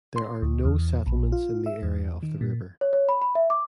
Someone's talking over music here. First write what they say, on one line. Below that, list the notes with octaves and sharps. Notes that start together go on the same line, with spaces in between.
There are no settlements in the area of the river.
C6
D2
E2
A#1
F4
E5
E2
D#3
A#2
C#5
C#5
B5
B5
E5
D6